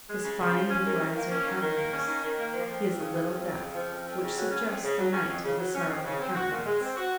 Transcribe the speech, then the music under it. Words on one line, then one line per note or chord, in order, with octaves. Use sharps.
His fine blue eyes are cavernous; he is a little deaf, which suggests the Knight of the Sorrowful Countenance.
G#3
C#3
C#3
F3
C#4
D#3
D#3
A#3
C#4
D#3
D#3
A#3
C#4
D#3
D#3
A#3
F3
F2
F2
C#3
F3
F2
F2
C#3
F3
F2
F2
C#3
F#3
C#4
F2
C#3
F#3
C#4
F2
C#3
F#3
C#4
F2
C#3
C4
F#4
A#2
G#3
C4
F#4